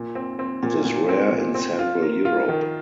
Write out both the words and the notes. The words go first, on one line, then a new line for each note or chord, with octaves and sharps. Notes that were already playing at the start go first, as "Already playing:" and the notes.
It is rare in Central Europe.
Already playing: A#2
C4
C4
A#2
A#2
C4
A#2
C4
F4
A#4
F4
D#3